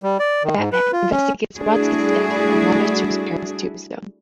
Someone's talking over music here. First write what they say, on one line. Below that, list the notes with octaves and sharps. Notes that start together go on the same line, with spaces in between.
Batman investigates Bronski's death and wanders to his parents' tombstone.
G3
D5
D#3
G#2
B4
F4
C#4
G3 A3 D4 E4 F#4 G#4